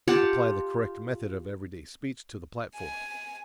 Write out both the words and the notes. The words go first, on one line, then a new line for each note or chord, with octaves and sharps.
Apply the correct method of everyday speech to the platform.
F4 G4 F#5 A5
G#5